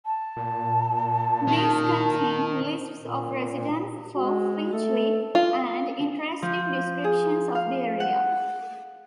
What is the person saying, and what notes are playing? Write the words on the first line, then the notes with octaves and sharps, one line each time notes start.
These contain lists of residents for Finchley and interesting descriptions of the area.
A5
A#2
D#3
A#2
G#3 F#4
A3 A4
F4
F3
G#4
F5
F#5